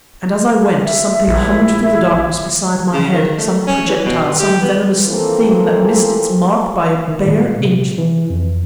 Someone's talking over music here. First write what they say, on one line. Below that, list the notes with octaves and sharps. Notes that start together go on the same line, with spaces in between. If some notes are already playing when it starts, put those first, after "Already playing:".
And as I went something hummed through the darkness beside my head, some projectile, some venomous thing that missed its mark by a bare inch!
E5
A#1 E4
C#3
D#3
A3
C#4
E3
B2
G2
G4
B3
E3 F3 A#3 C4 A4
D#3
A#2
C3
E3
F2